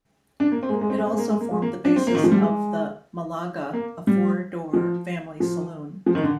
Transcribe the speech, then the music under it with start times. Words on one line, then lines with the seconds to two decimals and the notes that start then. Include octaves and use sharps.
It also formed the basis of the Malaga, a four-door family saloon.
0.40 D4
0.52 A#3
0.63 C4
0.69 G#3
0.73 A#3
0.81 G#3
0.90 C4
0.98 G#3
1.06 C4
1.13 G#3
1.18 A#3
1.29 G#3
1.40 A#3
1.51 G#3
1.62 A#3
1.85 D4
1.96 C4
2.07 A#3
2.15 D#3
2.24 F3
2.32 G3
2.40 G#3
3.73 A#3
4.07 G3
4.73 F3
5.40 F3
6.06 F3
6.15 D#3
6.24 D3